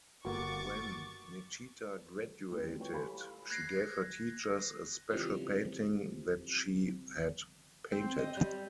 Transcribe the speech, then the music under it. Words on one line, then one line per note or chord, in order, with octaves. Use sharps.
When Nechita graduated, she gave her teachers a special painting that she had painted.
G1 A#3 F#4 C#6 D6 A6
E3 G3 A3 C4 E4 F#4
F4 B4 C#5 G5 C#6
G4 A4 F5 G#5 B5 C6
F#6 G#6 A#6 C7
C#3 E3 F3 G3 C4
C4
D#5
G3